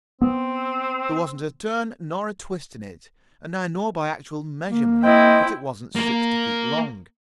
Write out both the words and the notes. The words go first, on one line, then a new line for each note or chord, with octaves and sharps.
There wasn't a turn nor a twist in it, and I know by actual measurement that it wasn't sixty feet long.
B3 C4
A#3
C4 E4 D#5 G5
A#3 A#4